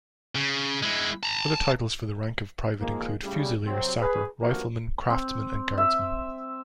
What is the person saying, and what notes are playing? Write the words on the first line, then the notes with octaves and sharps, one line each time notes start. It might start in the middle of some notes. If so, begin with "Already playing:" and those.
Other titles for the rank of private include fusilier, sapper, rifleman, craftsman, and guardsman.
C#3
G#3 E4
A5 A#5
D#3 F3 G#3 A#3
A2 C#3 G3
C3 F#3 C4
G#4 B4
A1 G2 F3 A#3 F#4 A#4
C4
E5